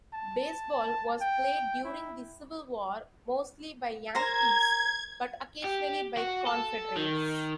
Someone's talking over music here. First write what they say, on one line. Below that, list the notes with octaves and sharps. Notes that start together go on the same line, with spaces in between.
Baseball was played during the Civil War mostly by Yankees but occasionally by Confederates.
A5
G5
E4
A#4 C5 A#5 G#6
G4
F#4
A4
D#3